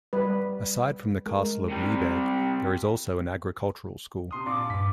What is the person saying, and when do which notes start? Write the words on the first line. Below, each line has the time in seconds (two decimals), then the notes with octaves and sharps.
Aside from the Castle of Liebegg, there is also an agricultural school.
0.13 G3 B4
1.26 G#3 A#4
1.70 C3 G3
4.31 C3 C6 D#6
4.46 A#1 D6
4.70 G2 B6